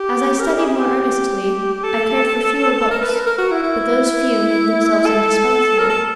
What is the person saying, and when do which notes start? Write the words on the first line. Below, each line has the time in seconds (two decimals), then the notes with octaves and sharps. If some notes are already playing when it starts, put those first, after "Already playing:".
As I studied more earnestly, I cared for fewer books, but those few made themselves indispensable.
Already playing: G4
0.39 A#4
0.50 G4
0.57 G#4
0.75 G4
1.84 A4
2.91 A#4
3.02 B4
3.15 A#4
3.26 A#4
3.38 F#4
3.51 E4
3.63 E4
5.06 A4
5.78 A#4
5.89 A4